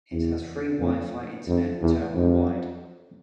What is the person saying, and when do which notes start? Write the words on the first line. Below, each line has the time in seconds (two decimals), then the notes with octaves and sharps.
It has free wi-fi internet terminal-wide.
0.12 E2
0.79 F2
1.47 F2
1.81 E2
2.14 F2